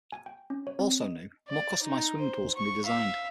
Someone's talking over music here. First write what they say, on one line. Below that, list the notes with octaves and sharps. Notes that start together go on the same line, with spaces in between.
Also new, more customized swimming pools can be designed.
G#5
G5
C#4
C#5
C4
D#5
D5
D#4
C5
C#6
E5 F5